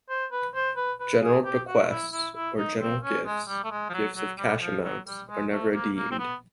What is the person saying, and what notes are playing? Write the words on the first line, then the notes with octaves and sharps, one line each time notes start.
General bequests or general gifts - gifts of cash amounts - are never adeemed.
C5
B4
C5
B4
B4
G#4
G4
F#4
E4
E4
E4
D#4
C4
C#4
G#3
G3
A3
G#3
F3
F#3
F#3
G3
F3
F#3
G3
G#3
A3
A#3
A#3
C4
B3